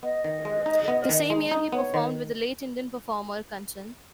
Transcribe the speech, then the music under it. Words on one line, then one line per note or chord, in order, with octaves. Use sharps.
The same year, he performed with late Indian performer Kanchan.
B3 D#5
D#3
G#3
D#4
B3
D#3
G#3
D#4
B3 C#5
D#3